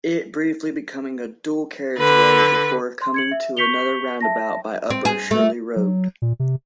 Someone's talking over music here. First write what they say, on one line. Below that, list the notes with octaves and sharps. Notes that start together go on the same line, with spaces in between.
It briefly becoming a dual-carriageway before coming to another roundabout by Upper Shirley Road.
D3 B4
C6
G#6 C#7 F#7
E5
C#6 G6 B6 C#7 F7 G7
E5 A5 A#6
C4
G#4
A3
F#3
A#2
C3